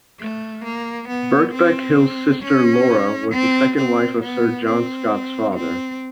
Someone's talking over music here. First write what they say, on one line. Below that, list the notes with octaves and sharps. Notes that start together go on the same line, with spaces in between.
Birkbeck Hill's sister Laura was the second wife of Sir John Scott's father.
A3
A#3
B3
C4
C#4
C4
C4
B3
C4
C4